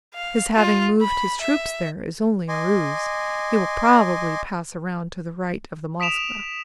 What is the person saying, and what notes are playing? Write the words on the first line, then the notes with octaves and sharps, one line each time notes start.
His having moved his troops there is only a ruse; he will probably pass round to the right of the Moskva.
F5
F4
B5
E5
D#5 G#5 C6 D6
D#6 B6 D7 E7 F7